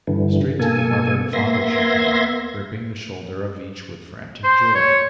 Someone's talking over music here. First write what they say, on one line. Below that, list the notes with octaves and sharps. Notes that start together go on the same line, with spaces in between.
Straight to the mother and father she came, gripping the shoulder of each with frantic joy.
G2 D3 E3
B2 A#3 A4 G#5
A#3 B3 E5 C6 G#6 A#6
C5
C#5